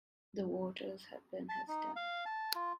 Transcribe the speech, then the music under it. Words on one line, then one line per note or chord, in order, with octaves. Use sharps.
The waters had been his death.
A5
D#4
F5
A5
F4